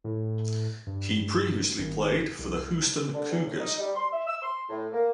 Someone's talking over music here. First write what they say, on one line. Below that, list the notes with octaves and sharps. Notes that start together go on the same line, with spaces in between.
He previously played for the Houston Cougars.
A2
G2
G#1
C2
D3
E2
A2
D#4
G3
C6
E5
E6
C6
A2
A#3